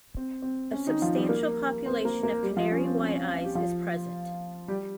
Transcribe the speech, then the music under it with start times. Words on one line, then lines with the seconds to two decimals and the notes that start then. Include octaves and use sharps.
A substantial population of canary white-eyes is present.
0.17 C4
0.42 C4
0.73 C#4
0.87 D#3 D#4
1.02 F3 F4
1.15 G3 G4
1.29 A#3 A#4
1.86 C4 C5
2.05 A#3 A#4
2.23 A#3 A#4
2.43 G3 G4
2.57 F3 F4
2.72 C#4
2.85 C4
2.99 C#4
3.45 G4
3.55 F3 F4
4.68 G3 G4